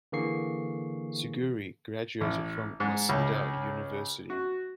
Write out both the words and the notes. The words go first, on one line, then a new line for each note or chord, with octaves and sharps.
Suguri graduated from Waseda University.
D3 E3 A#3 G#4 C#6 C7
A1
G#2
C#2
F#4